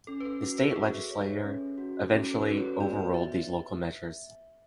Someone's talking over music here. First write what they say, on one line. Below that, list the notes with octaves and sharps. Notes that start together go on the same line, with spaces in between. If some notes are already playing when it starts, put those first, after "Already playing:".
The state legislature eventually overruled these local measures.
C#4 A4
B4
A4
F#4 A4
B4
G#4
A4 E5
C#5
C#4
F#4
C#4 A4
A4
B4
F#4
C#5
B3 D5
B3 E5